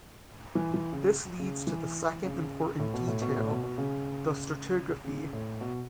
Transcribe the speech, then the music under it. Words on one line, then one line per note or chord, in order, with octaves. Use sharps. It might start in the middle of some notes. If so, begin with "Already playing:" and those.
This leads to the second important detail, the stratigraphy.
E3
E3
C#3
C#3
E3
C#3
A2
B2
A2
B2
A2
B2
B2
C#3
C#3
A2
B2